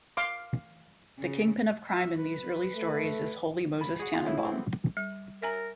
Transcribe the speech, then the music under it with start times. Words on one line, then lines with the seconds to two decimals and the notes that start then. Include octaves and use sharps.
The kingpin of crime in these early stories is Holy Moses Tanenbaum.
0.17 F5 C6 D6
1.19 C#3
1.87 E5
2.16 B4
2.76 A3
3.81 B5
3.99 F#4 G#4
4.14 F4
4.26 A2 E4
4.44 B3 C4
4.97 G3
5.42 A#4 E5 G#5 A#5